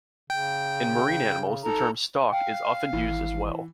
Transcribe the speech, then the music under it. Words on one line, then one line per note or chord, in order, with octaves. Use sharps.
In marine animals the term "stock" is often used as well.
C#3 G5
D#4 A4 A#5
F5 G5
G#1 E3